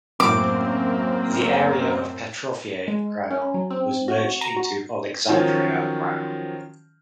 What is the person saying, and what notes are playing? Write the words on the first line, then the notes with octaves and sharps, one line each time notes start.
The area of Petrove Raion was merged into Oleksandriia Raion.
F#2 A2 F#3 A#3 C4 D6
G#3
C#4
F#3
C4
F#4
A#5
F#4
D#3 F3 F#3 C#4 F4